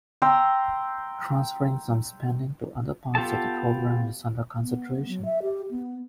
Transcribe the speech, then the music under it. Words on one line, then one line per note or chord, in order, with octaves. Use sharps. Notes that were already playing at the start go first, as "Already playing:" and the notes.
Transferring some spending to other parts of the program is under consideration.
G5 A#5 C6 E6
B3 F4 G4 A4 A5
B3
F#3
E5
G4
B3